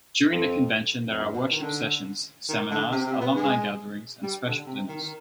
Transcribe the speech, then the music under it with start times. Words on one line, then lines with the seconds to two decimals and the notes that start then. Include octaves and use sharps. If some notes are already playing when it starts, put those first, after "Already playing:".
During the convention, there are worship sessions, seminars, alumni gatherings, and special dinners.
0.31 F2
1.08 F2
1.18 G2
1.33 B2
1.51 D#3
1.62 D3
2.49 D#3
2.70 D3
2.92 C3
3.07 C3
3.21 B3
3.36 G#3
4.23 G3
4.45 D3
4.66 C3
4.88 D#3
5.02 D#3